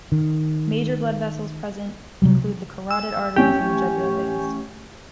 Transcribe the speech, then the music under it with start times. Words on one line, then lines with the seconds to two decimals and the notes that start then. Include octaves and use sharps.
Major blood vessels present include the carotid arteries and the jugular veins.
0.12 D#3
2.22 C3 F#3 G3
2.91 E6
3.36 A1 C#4 G4